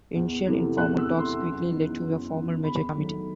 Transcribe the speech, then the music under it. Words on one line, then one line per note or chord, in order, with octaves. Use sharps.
Initial informal talks quickly led to a formal merger committee.
E2
C3 E3 A3 E4
E2 F#6
E6
C3 E3 A3 E4
C6
F#2
E3 B3 D#4
F#2
E3 B3 D#4
E2 B5
D#3 F#3 A3